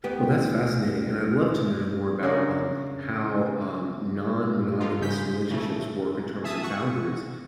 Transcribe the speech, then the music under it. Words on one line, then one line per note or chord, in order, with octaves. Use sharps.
Well, that's fascinating, and I'd love to know more about, um, how, um, non-monogamous relationships work in terms of boundaries,
D2 B3 G4
C#3 D4 A#4
D3 D#4 F4
G#2 C#3 G#3 G6 B6
C#3 E3 A3
G#4 E5 A5 D#6
F#5 C#6